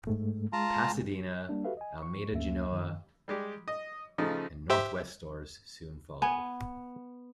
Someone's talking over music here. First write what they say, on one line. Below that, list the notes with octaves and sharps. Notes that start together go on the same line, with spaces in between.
Pasadena, Almeda-Genoa, and Northwest stores soon followed.
G#2 G#3 A3
G#3 F4 A5 A#5
G3 A#3 D4
F#4 G4 A4 B4 E5 F5
D#5 G#5
C#6
D2 A#3 C#4 E5
F#2 D#3
G3 G#3 G4
D#5
C#3 F3 A3 D#4
G4 C5 E5
B3 G#5